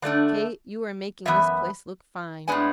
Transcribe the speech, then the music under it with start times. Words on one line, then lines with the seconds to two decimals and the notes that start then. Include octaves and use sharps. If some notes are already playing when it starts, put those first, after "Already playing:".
Kate, you are making this place look fine.
0.02 D3 A3 D4 D5
1.26 F#2 E3 B3 E5
2.48 A2 G#3 B3 D4 G#5